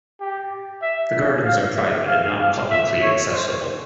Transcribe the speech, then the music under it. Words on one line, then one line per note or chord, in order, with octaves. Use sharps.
The gardens are private and not publicly accessible.
G4
E5
F5
E5
F5
F5
E5
C#5
C5